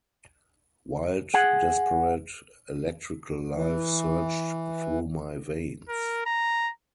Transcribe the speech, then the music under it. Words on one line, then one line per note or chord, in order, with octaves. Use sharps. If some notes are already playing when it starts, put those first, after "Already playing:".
Wild, desperate, electrical life surged through my veins.
G#4 F#5
E3
A#4
A#5